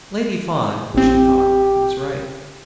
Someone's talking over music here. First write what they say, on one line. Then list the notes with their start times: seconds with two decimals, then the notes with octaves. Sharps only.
Lady Fawn, she thought, was right.
0.94 A1 C4 G4